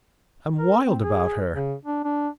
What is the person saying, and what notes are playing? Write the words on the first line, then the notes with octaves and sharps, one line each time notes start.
I'm wild about her!
A#4
C4
G#4
C#3
D4
D4